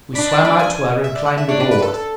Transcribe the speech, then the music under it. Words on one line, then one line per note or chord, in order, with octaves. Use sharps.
We swam out to her and climbed aboard.
D4 B5
A5
B5
G#5
E5
D5
F#5
E5
D4 C#5
B4
B4
A4
A4